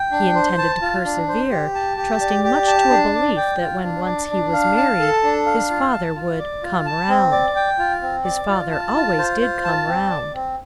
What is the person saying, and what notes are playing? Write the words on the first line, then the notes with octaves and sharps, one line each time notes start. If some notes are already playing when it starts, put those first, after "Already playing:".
He intended to persevere, trusting much to a belief that when once he was married his father would "come round." His father always did come round.
Already playing: G5
D4
C5
A5
F4
D4
C5
G4
A5
G4
D5
G4
A5
D4
D5
G5
F4
D4
D5
D4
F5
A5
A4
D4
F5
F4
A5
F4
D5
F4
A5
C4
D5
G5
F4
C4
D5
F4
A5
F4
C5
F4
A5
C4
D5
C4